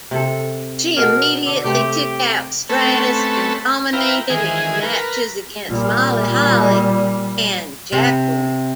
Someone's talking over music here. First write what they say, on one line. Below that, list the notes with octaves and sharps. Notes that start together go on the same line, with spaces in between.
She immediately took out Stratus and dominated in matches against Molly Holly and Jacqueline.
C3 A4
B2 G#4 A#4
D3
C3 A3 C4 G4
A3 C4 C#4 A4 B4
E4 F4 B4 G5 A#5
D#3 E3 G#3 G#4
A#4 B4
A#2 G3
C3